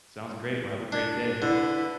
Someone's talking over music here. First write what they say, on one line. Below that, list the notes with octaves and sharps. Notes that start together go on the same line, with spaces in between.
Sounds, great, well, have a great day.
D4
D3 E4 B4